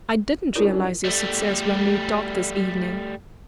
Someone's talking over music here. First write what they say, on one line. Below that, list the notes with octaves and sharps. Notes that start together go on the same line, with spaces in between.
I didn't realise your success when we talked this evening.
G3 C#4 D4 E4 F4 A#4
G3 A3